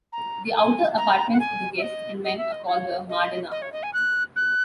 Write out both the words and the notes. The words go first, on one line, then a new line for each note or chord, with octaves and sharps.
The outer apartments for guests and men are called the "Mardana".
A#5
G#5
A#5
F#5
G#5
E5
D#5
D#5
E5
D#5
C#5
D#5
D#5
C#5
D#5
G#5
F#6
F#6